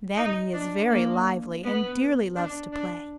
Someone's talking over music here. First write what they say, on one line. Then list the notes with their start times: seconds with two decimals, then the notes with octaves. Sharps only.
Then, he is very lively and dearly loves to play.
0.16 D#4
0.53 D4
0.89 A#3
1.64 B3
2.36 D4
2.73 D4